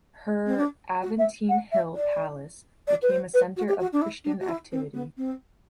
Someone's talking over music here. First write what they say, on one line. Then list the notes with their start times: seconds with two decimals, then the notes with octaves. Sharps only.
Her Aventine Hill palace became a center of Christian activity.
0.46 C4
0.57 D4
1.02 F#4
1.18 E5
1.49 F#5
1.71 E5
1.95 D5
2.87 D5
3.02 B4
3.09 C5
3.33 B4
3.56 F#4
3.68 G4
3.79 F#4
3.92 D4
4.01 E4
4.24 D4
4.40 F#4
4.48 E4
4.72 C4
4.93 B3
5.17 C4